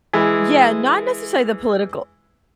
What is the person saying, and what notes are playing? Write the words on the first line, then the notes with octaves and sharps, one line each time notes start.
Yeah, not necessarily the political.
E3 G#3